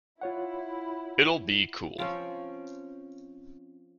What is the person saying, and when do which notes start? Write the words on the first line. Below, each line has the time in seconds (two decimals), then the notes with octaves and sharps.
It'll be cool.
0.21 E4 F4 C#5 F#5
1.98 F3 C4 C#4